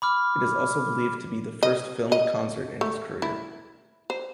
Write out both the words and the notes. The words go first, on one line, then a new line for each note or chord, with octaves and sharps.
It is also believed to be the first filmed concert in his career.
B5 D6 F6
D#5
D#5
A3
E4
C5